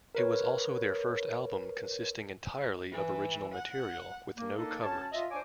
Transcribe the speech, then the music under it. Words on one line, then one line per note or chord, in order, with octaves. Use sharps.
It was also their first album consisting entirely of original material, with no covers.
A#4 B4 C#5
E3
F#5
A#3
D#3 A#3 D4 D#4 A4
F#3 C#4 C#5 A5
F4 D#5 E5
D4 C5 C#5 G#5 D6